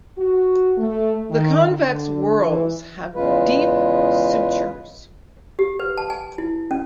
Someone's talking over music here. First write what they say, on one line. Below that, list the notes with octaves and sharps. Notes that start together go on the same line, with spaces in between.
The convex whorls have deep sutures.
F#4
A3
D#3
D3
E3
E2 C#3 G#3 F4 B4
G4
B4
A5
G#5
E4
C#4